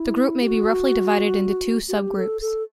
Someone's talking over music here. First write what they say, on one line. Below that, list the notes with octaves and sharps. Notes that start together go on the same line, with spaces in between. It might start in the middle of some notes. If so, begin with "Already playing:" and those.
The group may be roughly divided into two subgroups.
Already playing: E4
G4
F#4
F#4
G4
A4
A4